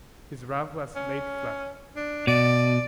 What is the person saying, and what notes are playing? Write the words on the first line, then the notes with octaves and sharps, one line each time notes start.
His ruff was laid flat.
C#4
D4
B2 D5